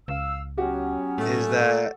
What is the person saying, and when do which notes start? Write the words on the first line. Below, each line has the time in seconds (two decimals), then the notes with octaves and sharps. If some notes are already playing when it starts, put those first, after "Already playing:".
is that
0.08 C#2 F5 E6
0.57 F#3 B3 C#4 F#4 G4
1.18 A2 A3
1.62 A4